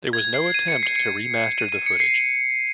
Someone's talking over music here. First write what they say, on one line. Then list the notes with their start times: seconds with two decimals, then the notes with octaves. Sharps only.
There was no attempt to remaster the footage.
0.13 G#6
0.34 C7
0.54 D#7
0.68 C#7
0.83 C7
0.96 C#7
1.58 D#7
1.72 D#7
1.86 C#7
2.00 C7